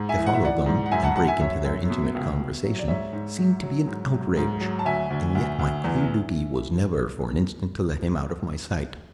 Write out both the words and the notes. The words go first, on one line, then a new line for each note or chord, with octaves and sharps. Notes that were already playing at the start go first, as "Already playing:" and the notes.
To follow them and break into their intimate conversation seemed to be an outrage, and yet my clear duty was never for an instant to let him out of my sight.
Already playing: G#2
E5 G#5
E3
F#5
E5
E3 D5 F#5
G#2
F#5
F#2 E5 G#5
F#5 A5
F#2 F#5 A5
E5 G#5
F#2 C#5 E5
F#2
B2
C#2
B2
F#3
D5
G#2 C#5 E5
G#2
F#3
F#3
G#2
F#3
G#2
F#3
A5
D2 E5 G#5
D2
D2
D2
E2